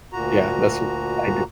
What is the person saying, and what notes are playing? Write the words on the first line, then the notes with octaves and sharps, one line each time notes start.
Yeah, that's what I do.
D2 A#2 F#4 A#5